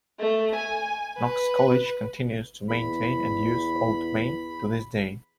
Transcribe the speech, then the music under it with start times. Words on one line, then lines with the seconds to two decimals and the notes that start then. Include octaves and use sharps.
Knox College continues to maintain and use Old Main to this day.
0.20 A3
0.55 G#5
1.18 B4
2.69 E2 B5